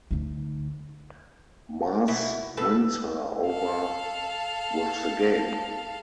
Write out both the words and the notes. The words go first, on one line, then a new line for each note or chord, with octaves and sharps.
Mars wins her over with the game.
D2 D#4
B2 E4
B2 A4 B4
A4 F5